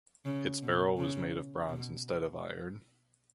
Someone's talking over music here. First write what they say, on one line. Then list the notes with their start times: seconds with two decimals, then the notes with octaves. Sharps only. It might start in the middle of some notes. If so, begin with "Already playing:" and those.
Its barrel was made of bronze instead of iron.
0.25 C#3
0.62 B2
0.97 C#3
1.68 B2